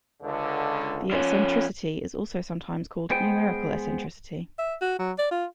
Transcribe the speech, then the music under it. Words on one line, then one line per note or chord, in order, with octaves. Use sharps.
The eccentricity is also sometimes called numerical eccentricity.
C#2 D3
F3 C#4
G#3 B3 G#4 C5 G5
E5
F#4
F#3
D5
F4